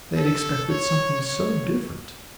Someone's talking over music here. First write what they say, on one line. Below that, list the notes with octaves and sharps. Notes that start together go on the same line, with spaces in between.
They had expected something so different.
A4
C#5
C#5